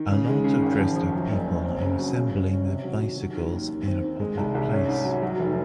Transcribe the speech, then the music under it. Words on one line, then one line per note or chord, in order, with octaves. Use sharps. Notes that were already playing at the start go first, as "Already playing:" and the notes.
A lot of dressed-up people are assembling their bicycles in a public place.
Already playing: D#3
C#3
G#3
C#3
G#1
F3
F3
F#2
F#1
F#1
C4
C#3
F#3
C#3
C#3
C#4
C3
F#3
D#3
F#3
D#3
D#2
D#2
C4
D#3
G#3
C2
C2
C#4
G#2
F#3
F#3
F1